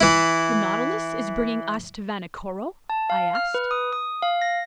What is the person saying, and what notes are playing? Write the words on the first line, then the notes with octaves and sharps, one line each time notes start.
"The Nautilus is bringing us to Vanikoro?" I asked.
E3 E4
A5
F5
F6
B4
D#6
D#6
F5
A#6